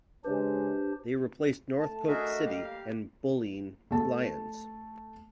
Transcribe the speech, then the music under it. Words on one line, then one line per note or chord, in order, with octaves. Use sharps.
They replaced Northcote City and Bulleen Lions.
C#3 G#3 C#4 D4 G4 B4 C5
A3 A5
D4 F#4 G#4 A#4 D#5 E5
G3 A#3 G4 F5
A3 A5